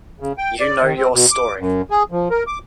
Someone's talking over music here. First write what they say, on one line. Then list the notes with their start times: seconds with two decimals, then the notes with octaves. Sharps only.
You know your story.
0.20 C#3
0.38 G5
0.60 D5
0.83 D#3
0.97 C4
1.13 B2
1.31 D6
1.59 F#2
1.90 G#4
2.12 F3
2.30 A#4
2.47 D6